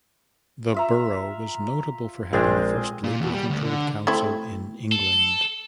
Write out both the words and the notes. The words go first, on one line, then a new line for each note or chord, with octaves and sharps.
The borough was notable for having the first Labour controlled council in England.
F4 E5 A#5
A#1 G#3 C4 D4 F4 G#4
A#2
E2
G3
D2
D3
A3 C4 E4
A4